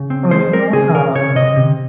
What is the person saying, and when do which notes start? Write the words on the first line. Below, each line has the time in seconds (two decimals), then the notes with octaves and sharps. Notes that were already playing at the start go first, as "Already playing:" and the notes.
Oh, you're welcome.
Already playing: C#3
0.10 C4
0.31 G#3 C5
0.53 C4 A#4
0.73 C#3 G#4
0.94 C#3 A#4
1.15 C#3 C#5
1.35 C3 D#5
1.56 C3